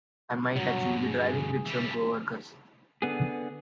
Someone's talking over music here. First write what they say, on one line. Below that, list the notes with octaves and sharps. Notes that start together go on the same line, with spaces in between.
I might actually be driving with some coworkers.
G2 B2 F#3
G#4
E3 G3
D3 B3 G#4